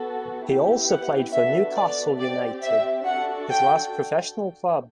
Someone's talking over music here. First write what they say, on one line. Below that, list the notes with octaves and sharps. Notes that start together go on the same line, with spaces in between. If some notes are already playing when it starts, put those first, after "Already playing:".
He also played for Newcastle United, his last professional club.
Already playing: B3 F#4 A4
B3 E4 G4
F#5
B3 D4 F#4 A4 E5
D5
C4 G4 D5
E5
D4 F#4 A4 F#5
G5